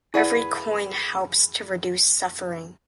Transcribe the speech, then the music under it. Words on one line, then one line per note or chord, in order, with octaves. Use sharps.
Every coin helps to reduce suffering.
E4 G#4 B4 D5 F#5